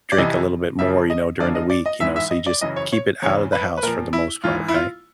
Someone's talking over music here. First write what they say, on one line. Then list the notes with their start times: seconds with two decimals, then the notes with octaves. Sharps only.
drink a little bit more, you know, during the week, you know, so you just keep it out of the house for the most part, right?
0.12 D5
0.18 F2 C3 E3 D#5
0.79 F2 C#3 F3 E5
1.10 D#5
1.39 F#2 D3 F3 D5
1.55 D#5
1.70 D5
1.86 D#5
2.00 G#2 E3 E5
2.16 E5
2.31 D#5
2.46 D5
2.61 F#2 C#3 E3 D#5
2.76 C#5
2.92 C#5
3.22 E2 C#3 E3 C#5
3.53 B4
3.77 B4
3.83 A#2 F3 A#4
4.13 E4
4.44 G#2 E3 F4
4.68 E4
4.75 F4